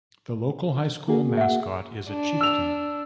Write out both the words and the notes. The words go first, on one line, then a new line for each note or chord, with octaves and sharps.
The local high school mascot is a chieftain.
A#3 F#4 G#4
E5 F#5
D4
E6 F7